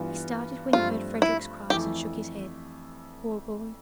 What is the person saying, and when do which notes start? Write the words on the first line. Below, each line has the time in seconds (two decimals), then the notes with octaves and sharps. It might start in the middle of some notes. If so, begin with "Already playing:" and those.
He started when he heard Frederick's cries, and shook his head:--'Poor boy!
Already playing: G2 E3 B3 F4
0.73 G2 F3 A3 C4 F4
1.22 E4
1.70 F2 E3 A3 E4 G4